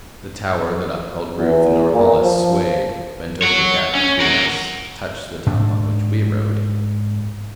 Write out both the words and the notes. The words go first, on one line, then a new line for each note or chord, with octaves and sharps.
The tower that upheld Ruth and Norhala swayed, bent over the gap between us, touched the top on which we rode.
E2
A#2
F3
C#5 F#5
C#4
A#4 F#5
G#2 D4